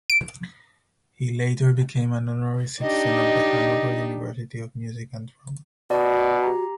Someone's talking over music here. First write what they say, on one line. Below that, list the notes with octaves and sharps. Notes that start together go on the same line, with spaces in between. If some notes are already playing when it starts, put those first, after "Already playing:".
He later became an honorary citizen of the Hanover University of Music and Drama.
D7
D4 D#4 G4 D#5
B2 F#4 D5 D#5
G4 A#5